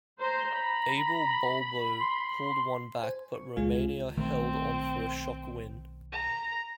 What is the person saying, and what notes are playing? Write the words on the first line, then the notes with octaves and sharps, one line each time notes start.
Abel Balbo pulled one back, but Romania held on for a shock win.
C5 A#5
B5
C6
C5 G#5
C#6
C#2 G#3 F4 F5 G#5
B1 D#3 A3 C4
A#5